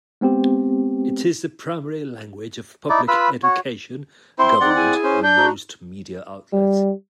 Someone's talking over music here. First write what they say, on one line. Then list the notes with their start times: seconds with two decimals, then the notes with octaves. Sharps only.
It is the primary language of public education, government and most media outlets.
0.21 G#3 B3 C4 G4
2.89 D#4 E4 D5
3.08 F4 B4 B5 E6
3.43 F#4 C#5
4.38 C4 E4 C5 C6
4.61 C4 D#4 G#4 D5 F#5
4.75 E4 G#4 G#5
5.04 C#4 C5
5.22 D4 G6
5.36 F#4 A#5
6.53 G3